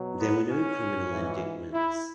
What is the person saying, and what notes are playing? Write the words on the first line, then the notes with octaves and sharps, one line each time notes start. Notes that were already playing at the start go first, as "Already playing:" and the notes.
There were no criminal indictments.
Already playing: B2 F#3
B3
C#4
G#2 E3
E4